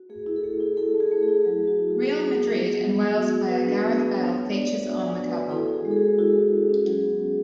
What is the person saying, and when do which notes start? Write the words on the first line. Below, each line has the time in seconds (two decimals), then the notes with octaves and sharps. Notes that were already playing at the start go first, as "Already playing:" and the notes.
Real Madrid and Wales player Gareth Bale features on the cover.
Already playing: F#4
0.09 A3 G#4
0.26 E4
0.36 A4
0.43 A3 G#4
0.61 E4
0.77 E4 A4
0.94 A3
1.00 G#4
1.11 A3
1.23 G#4
1.28 E4
1.45 F#3 G#4
1.62 F#3
1.67 F#4
1.79 E4
1.90 G#4
1.96 F#3
2.13 F#3 G#4
2.30 B3
2.46 F#3
2.63 F#3
2.81 B3
2.97 B3
3.14 F#4
3.31 F#4
3.48 F#4 B4
3.65 D4
3.82 B3
3.99 B3
4.16 D4 C#5
4.33 A3
4.50 A3 D5
4.67 D4
4.83 F#4 E5
5.01 D4
5.06 G#5
5.17 A3
5.29 F#4 B4
5.51 E4 A4
5.68 E4
5.74 G#4
5.85 G#3
5.91 A4
5.96 G#4
6.02 G#3
6.19 E4 F#4
6.35 G#3
6.53 G#3
6.69 C#4
6.86 F#3 G#4
7.03 B3
7.20 F#4